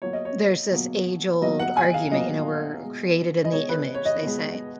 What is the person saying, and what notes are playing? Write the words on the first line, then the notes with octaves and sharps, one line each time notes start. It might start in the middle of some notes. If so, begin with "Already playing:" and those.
There's this age-old argument, you know, we're created in the image, they say,
B2 F#3 A#3 C#5
D#5
C#5
B2 F#3 A#3
B2 F#3 A#3 D#5
F#5
G#5
F5
B2 F#3 A#3 D#5
B2 G#3
D#5
B2 G#3 C#5
B4
C#5
D#5
B2 G#3